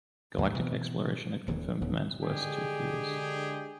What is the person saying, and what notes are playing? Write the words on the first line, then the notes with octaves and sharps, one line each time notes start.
Galactic exploration had confirmed man's worst two fears.
D#2 A2 D#3 E3
B2 E3 B3 C4
D#1 D#2 A#2 E3
D#1 D#2 C#3 B3
D3 G#3 D4 G4 G#4